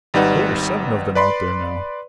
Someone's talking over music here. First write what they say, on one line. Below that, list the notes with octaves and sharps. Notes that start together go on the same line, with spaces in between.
"There are seven of them out there now."
G#1 G3 D#4 B4 F#5
B4 D5 B5 C6